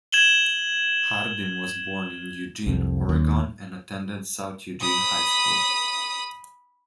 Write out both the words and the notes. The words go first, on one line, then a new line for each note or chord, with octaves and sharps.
Hardin was born in Eugene, Oregon and attended South Eugene High School.
G#6 E7 F#7 G7
C2 F2
D#2
B5 D#6